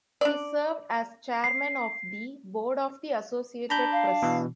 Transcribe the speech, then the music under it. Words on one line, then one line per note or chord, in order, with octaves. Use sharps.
He served as chairman of the board of the Associated Press.
D4 D5
C7
D4 A#5 B5 G6
F5
B2 E3